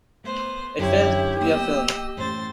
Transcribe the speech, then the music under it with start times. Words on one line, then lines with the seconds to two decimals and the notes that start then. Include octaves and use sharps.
It failed to be a film.
0.24 A3 B3 C5
0.79 F#2 D3 F#3 E4 G4 C#5
1.41 A#3 B3 D#5 E6
2.17 A2 E3 C#4 C5 A6